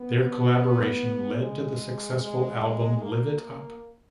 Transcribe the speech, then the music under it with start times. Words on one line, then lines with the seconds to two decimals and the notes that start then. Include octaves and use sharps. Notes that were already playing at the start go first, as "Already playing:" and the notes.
Their collaboration led to the successful album "Live It Up".
Already playing: B3
1.42 G#3
2.23 G#3
3.02 A#3